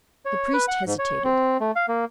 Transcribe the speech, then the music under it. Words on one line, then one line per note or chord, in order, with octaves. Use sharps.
The priest hesitated.
C#5
B4
F#5
G#2
C#5
C4
A3
F5
A#3